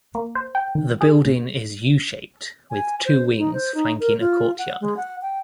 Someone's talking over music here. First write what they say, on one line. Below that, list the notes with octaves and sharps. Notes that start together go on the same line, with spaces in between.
The building is U-shaped with two wings flanking a courtyard.
A#3
C5
G5
D#3
G#4
A#2
G#5
C5
D#4
C5
D#4
A#4
F4
F#5
G#3
F#5
G5